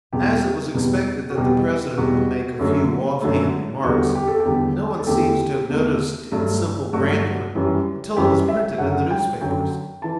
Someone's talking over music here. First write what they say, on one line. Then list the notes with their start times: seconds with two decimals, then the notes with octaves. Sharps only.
As it was expected that the President would make a few offhand remarks, no one seems to have noticed its simple grandeur until it was printed in the newspapers.
0.12 E2 B2 G3 G4
0.74 E2 B2 G3
1.30 F#4
1.36 E2 B2 G3 G4
1.97 E2 B2 G3 F#4
2.59 F#2 D3 F#3 A3
3.21 F#2 D3 F#3 A3
3.84 E2 D3 G3 F#4
4.15 G4
4.28 A4
4.40 G4
4.45 E2 D3 G3
4.99 A4
5.07 E2 D3 A3 G4
5.70 E2 D3 A3
6.32 G2 F#3 A3
6.93 G2 F#3 A3 F#4
7.55 F#2 E3 G3
8.17 F#2 E3 G3 G4
8.48 E5
8.78 F#2 D3 F#3 F#5
9.10 G5
9.41 F#2 D3 F#3 G5
10.02 E3 A5